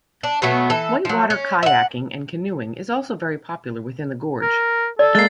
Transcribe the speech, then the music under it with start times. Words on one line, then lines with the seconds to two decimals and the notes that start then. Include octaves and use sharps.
Whitewater kayaking and canoeing is also very popular within the gorge.
0.23 D4
0.42 B2 F#3 A3 B3
0.70 E3 A4
1.05 F3 F#3
1.30 C#4
1.63 E5 F#5
4.42 A#4
4.99 A4 D5
5.15 G#3 A#3 A6 C7